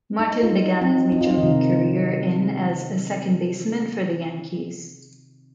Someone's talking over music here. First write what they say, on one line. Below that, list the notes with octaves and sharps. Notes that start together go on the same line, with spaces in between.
Martin began his major league career in as a second baseman for the Yankees.
D#4
F4
D#4
C4
D#4
F4
D#4
D#3
C3